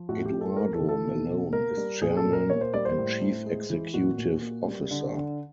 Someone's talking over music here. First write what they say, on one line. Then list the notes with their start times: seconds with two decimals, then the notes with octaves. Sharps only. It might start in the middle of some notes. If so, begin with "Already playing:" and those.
Eduardo Malone is Chairman and Chief Executive Officer.
Already playing: F3
0.09 A2 F#4
0.26 G4
0.33 A2
0.41 A4
0.57 A3 A#4
0.74 A4
0.81 E3
0.89 A4
1.05 B2
1.29 B2
1.53 A#3 A#4
1.77 G3
2.02 A#2 G#4
2.17 A4
2.25 A#2
2.33 A#4
2.50 A#3 C#5
2.61 C5
2.74 G3 D5
2.85 C5
2.98 A2
3.21 A2
3.46 G#3
3.70 E3
3.94 A#2 F#4
4.18 A#2
4.42 A#3
4.67 G3
4.91 D3
5.15 D3